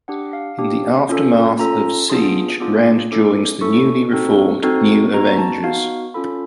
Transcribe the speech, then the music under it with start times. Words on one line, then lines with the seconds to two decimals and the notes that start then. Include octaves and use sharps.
In the aftermath of "Siege", Rand joins the newly reformed New Avengers.
0.08 D4 G4 F#5
0.33 F5
0.59 D4 G4
1.09 C#4 F4 A4
1.59 C#4 F4 A4 A#5
2.10 B3 D4 F4 G#4 C6
2.60 B3 D4 F4 G#4 D6
3.12 C#4 E4 A4 D6
3.61 C#4 E4 A4 C#6
4.13 C4 D#4 F#4 A4
4.63 C4 D#4 F#4 A4
5.13 B3 D#4 F#4 A#5
5.38 A5
5.64 B3 D#4 F#4 F5
6.14 C#4 F4 A4 B5